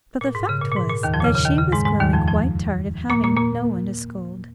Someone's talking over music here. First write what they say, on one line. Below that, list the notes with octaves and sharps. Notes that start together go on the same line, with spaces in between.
But the fact was that she was growing quite tired of having no one to scold.
A#2
G#2
C#3
A#2
A#2
G#2
A#2
D#2 D#3
F2 F3
A#2
C#3
C#3
D#2 D#3
C#3
G#2 G#3
G#2 G#3
D#2 D#3
F2 F3
F2 F3
A#2 A#3
A#2 A#3
A#2 A#3